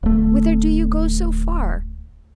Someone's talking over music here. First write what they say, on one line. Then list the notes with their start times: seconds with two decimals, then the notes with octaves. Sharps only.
Whither do you go so far?
0.03 D1 A3